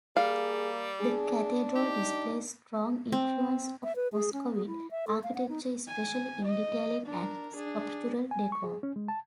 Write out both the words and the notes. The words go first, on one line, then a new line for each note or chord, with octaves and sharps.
The cathedral displays strong influence of Muscovite architecture, especially in detailing and sculptural decor.
G3 A#3 G#4 F5
D4 G#4
D#4 G4
C4
E5
B4
G#4
C#4
G#4
E4
E5
A4
F5
F#5
D#4
G#5
D#5
D4 A#4
D4 G#4
G#5
C#6
G#4
C#4
G#3
A5